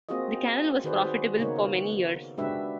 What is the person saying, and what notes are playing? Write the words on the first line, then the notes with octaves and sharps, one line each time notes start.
The canal was profitable for many years.
A#3 C4 F4 F#4 G#4 D#5
D#3 F#4 G#4 B4 C5 D5
F#4
C#3 A#3 B3 D#4 C#5
G#3 D4 F#4 G4 B4 E5